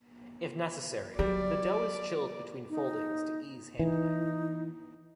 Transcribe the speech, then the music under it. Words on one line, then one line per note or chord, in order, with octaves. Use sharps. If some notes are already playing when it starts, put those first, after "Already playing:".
If necessary, the dough is chilled between foldings to ease handling.
F#3 G3 D5
D#4
E3 D#4